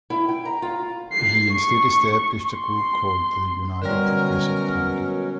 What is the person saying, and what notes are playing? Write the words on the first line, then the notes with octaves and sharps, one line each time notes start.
He instead established a group called the United Progressive Party.
E4
G5
A#5
F4
C7
C#6
C6
B2 D3 F#3 G3 C#4 A#4